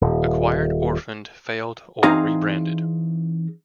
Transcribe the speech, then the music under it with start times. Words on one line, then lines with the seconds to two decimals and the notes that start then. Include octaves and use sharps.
Acquired, orphaned, failed or rebranded.
0.01 D#1
2.03 E3 C4 D#4 G#4 F5 A#5